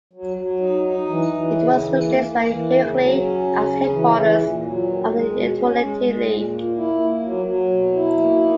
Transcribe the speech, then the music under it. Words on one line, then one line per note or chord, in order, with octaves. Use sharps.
It was replaced by Heraclea as headquarters of the Italiote League.
F#3
F#3
D#4
D#4
E3
E3
C#3
E3
A#3
A#3
E3
C#3
F#3
C#4
C#3
C#3
E3
E3
A#2
F#3
D#3
G#3
B2
C#4
G#3
G#3
A#2
A#3
E4
A#3
F#3
F#3
B2
E4
A#3
D#4